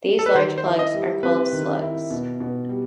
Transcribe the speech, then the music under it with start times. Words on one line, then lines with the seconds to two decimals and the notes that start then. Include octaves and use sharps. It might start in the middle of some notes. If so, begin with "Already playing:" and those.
These large plugs are called slugs.
0.19 A4
0.26 B4
0.35 D#3 C5
0.58 C5
0.65 E4
0.79 D#5
0.94 G3
1.23 C4 B4
1.53 D#3
1.82 E4
2.10 B2
2.40 B2
2.69 G3